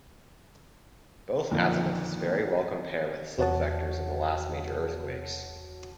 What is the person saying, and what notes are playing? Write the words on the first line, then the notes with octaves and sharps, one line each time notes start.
Both azimuths very well compare with slip vectors of the last major earthquakes.
F2 A#2 D3 D#3
E2 F#4 C#5 F#5 A5